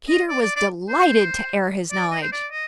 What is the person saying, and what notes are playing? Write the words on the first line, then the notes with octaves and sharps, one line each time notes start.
Peter was delighted to air his knowledge.
D#5
D5
D5
D5
C5
D5
D#5
C5
D5
D#5